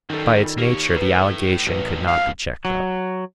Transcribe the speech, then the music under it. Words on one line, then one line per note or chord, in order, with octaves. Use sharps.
By its nature, the allegation could not be checked up.
F#2 D#3 G3 C#4 D#4 A4
F4 D5
A#3 G4 C#5
A2 D#4 B4 A#5
A1 G2 D#3 F#4 B4 C5
C2 B2 F4 F5 A5
F#3